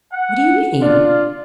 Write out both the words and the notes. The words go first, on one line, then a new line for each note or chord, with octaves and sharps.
"What do you mean?"
F#5
D4 F4